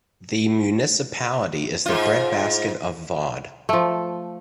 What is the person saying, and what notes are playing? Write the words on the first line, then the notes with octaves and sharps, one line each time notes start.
The municipality is the breadbasket of Vaud.
G#2 F4
F3 A3